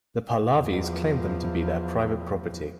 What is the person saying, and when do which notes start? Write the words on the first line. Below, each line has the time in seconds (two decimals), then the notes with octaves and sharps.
The Pahlavi's claimed them to be their private property.
0.56 E2 F3